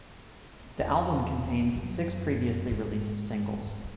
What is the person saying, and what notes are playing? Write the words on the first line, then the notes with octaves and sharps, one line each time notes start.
The album contains six previously released singles.
E2
F#2
G#2
F#2